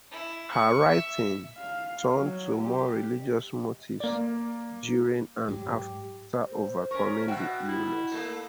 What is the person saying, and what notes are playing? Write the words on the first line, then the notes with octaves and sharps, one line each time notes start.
Her writing turned to more religious motifs during and after overcoming the illness.
E4
C#6
E5
F5
F#3
G4
A#3 D5
G#2 F#3 G4
C5
C#4 A#4 C#6
B2 F#4 E5 F#5 G5
E4
A3 A#3 D#4 A4